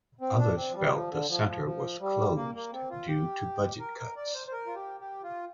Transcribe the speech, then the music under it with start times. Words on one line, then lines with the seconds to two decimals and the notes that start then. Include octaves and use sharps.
Others felt the center was closed due to budget cuts.
0.21 C4
0.38 D4
0.56 C4
0.71 F3
0.75 G3
0.93 F3
1.10 D3
1.29 F3
1.47 F3
1.64 F3
2.00 G3
2.36 A#3
2.55 A#3
2.73 C4
2.91 F4
3.08 G4
3.79 A#4
3.98 A#4
4.16 D5
4.35 C5
4.48 C5
4.53 A#4
4.66 F4
4.75 G4
5.00 G4
5.23 F4